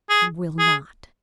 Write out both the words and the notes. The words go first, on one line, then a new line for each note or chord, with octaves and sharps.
"I will not!"
G#4
G#4